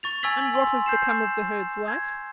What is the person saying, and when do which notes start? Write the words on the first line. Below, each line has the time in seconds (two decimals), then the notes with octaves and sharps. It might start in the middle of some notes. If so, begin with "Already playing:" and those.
"And what has become of the herd's wife?"
0.03 C#6 A6 F7
0.23 G#5 C#6 E6 G#6 B6 F#7
0.54 G#5 C6
0.86 G6 C7 E7
1.88 G#6